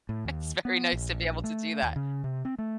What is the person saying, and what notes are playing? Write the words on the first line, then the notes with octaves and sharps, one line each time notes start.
It's very nice to be able to do that.
A2
D#2
B3
A#1
A3
D#2
C#3
C3
C4
A3